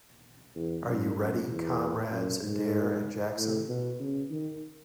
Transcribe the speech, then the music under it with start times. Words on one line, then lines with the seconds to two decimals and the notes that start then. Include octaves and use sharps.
Are you ready, Comrades Adair and Jackson?
0.55 E2
0.86 F#2
1.18 F#2
1.49 E2
2.11 F#2
2.42 G#2
3.36 A2
3.69 B2
4.00 C#3
4.30 D#3